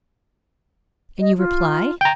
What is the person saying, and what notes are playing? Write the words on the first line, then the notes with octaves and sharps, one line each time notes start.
"And you reply?"
D#5
F4
G5 A#5